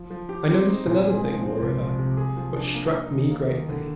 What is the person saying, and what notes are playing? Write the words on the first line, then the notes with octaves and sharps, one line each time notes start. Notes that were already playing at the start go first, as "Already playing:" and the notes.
I noticed another thing, moreover, which struck me greatly.
Already playing: F3
F3
G4
C4
D#4
A#2
G#3
F3
C4
C2
F3
C3
G#4
F3
D4
A#3
D#4
D#2
A#3
D#3
D3